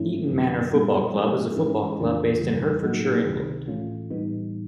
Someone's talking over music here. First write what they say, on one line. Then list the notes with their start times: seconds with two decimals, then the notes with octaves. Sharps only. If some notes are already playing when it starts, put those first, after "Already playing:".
Eton Manor Football Club is a football club based in Hertfordshire, England.
Already playing: G#2 F3 A3 C#4 E4
0.30 F#2 D3 F#3
0.71 A#2 G3 B3
1.14 G#2 F3 G#3 C#4
1.57 G#2 E3 G#3 C#4 E4
1.98 F2 C#3 E3 A3 D4
2.41 F2 C#3 E3 G3
2.83 A2 F#3 A#3 D#4 F#4
3.25 C#2 C3 D#3
3.68 A2 E3 A3 C#4 F4
4.10 A2 E3 G3 B3 D#4